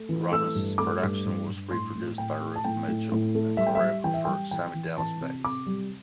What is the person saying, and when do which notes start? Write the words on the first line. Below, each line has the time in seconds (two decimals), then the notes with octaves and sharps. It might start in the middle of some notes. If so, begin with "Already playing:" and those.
Robbins' production was reproduced by Ruth Mitchell and choreographer Sammy Dallas Bayes.
Already playing: A3
0.09 E3
0.32 A3 E6
0.55 G2
0.78 A3 D6
1.02 G2
1.25 G2
1.48 G2
1.71 A2 C6
1.95 A2
2.18 A2 G5
2.41 A3
2.56 A5
2.64 A2 G5
2.88 A2
3.12 A2
3.35 A3
3.57 G3 E5
3.67 G5
3.75 E5
3.81 G3
4.04 E3 G5
4.14 E5
4.25 G3 G5
4.51 E3 G5
4.75 E3
4.98 E3 A5
5.21 C3
5.44 C3 D6
5.67 G3